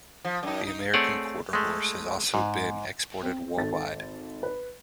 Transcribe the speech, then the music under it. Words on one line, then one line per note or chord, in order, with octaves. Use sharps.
The American Quarter Horse has also been exported worldwide.
F3
F#2 D#4
D#4
A3 C4 G#4 C#5 D5 F#5
G#3 A3
G#2
C4
G#1 A4 A6
B4